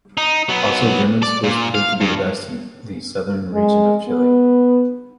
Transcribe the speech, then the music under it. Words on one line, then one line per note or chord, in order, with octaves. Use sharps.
Also German schools proved to be the best in the Southern region of Chile.
D#4
F#3 B3
D5
A#2
F5
G2
G#3
B3